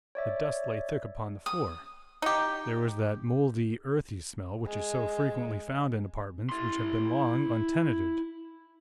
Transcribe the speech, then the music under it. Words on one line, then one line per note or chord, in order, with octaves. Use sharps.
The dust lay thick upon the floor,--there was that mouldy, earthy smell which is so frequently found in apartments which have been long untenanted.
C#5 D5 E5
D#6
D#4 G4
G#3
E4 C6